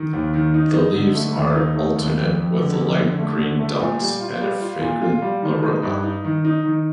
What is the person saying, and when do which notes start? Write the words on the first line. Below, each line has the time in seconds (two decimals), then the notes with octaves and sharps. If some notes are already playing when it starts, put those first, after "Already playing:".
The leaves are alternate, with light green dots and a fragrant aroma.
Already playing: D#3
0.13 D#2
0.34 D#3
0.54 D#4
0.74 D#4
0.94 D3
1.15 A3
1.35 D#2
1.56 D#4
1.76 A3
1.96 D#2
2.17 F2
2.37 F2
2.57 D3
2.78 F2
2.98 D3
3.18 A3
3.39 D3
3.59 A3
3.80 A#2
4.00 G3
4.20 F4
4.41 G3
4.61 F4
4.81 A#2
5.02 F4
5.22 G3
5.42 D#3
5.63 D#4
5.83 G2
6.03 D#4
6.25 D#3
6.45 D#4
6.65 D#3